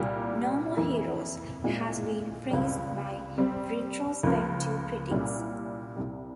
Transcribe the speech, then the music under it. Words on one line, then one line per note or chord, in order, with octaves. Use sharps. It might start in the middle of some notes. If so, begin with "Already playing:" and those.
"No More Heroes" has been praised by retrospective critics.
Already playing: C2 A#2 G3 A#3
F2 E3 A#3 E4
A#2 G#3 C4 E4
C#2 C3 G3 C#4
C3 G3 C4
C#2 C#3 F3 A#3
C2 A#2 G3 C#4 E4
C2 C3 G3